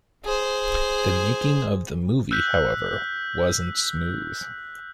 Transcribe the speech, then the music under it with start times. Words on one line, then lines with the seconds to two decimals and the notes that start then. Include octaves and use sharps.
The making of the movie, however, wasn't smooth.
0.25 G#4 C5
2.31 E6 F#6 G6 B6